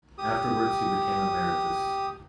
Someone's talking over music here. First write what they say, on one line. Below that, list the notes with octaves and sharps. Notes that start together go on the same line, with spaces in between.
Afterwards he became emeritus.
G4 D#6